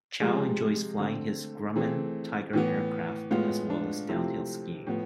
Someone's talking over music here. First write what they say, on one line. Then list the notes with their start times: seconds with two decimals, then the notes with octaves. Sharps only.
Chiao enjoys flying his Grumman Tiger aircraft, as well as downhill skiing.
0.20 C3 F3 G#3 G#4
0.98 D3 A3 C4
1.76 E3 A3 C4 G#4
2.53 A2 E3 B3
3.31 A2 G#3 B3 F4
3.70 D4
4.09 C3 F3 A3 C4 E4
4.87 A2 F3 B3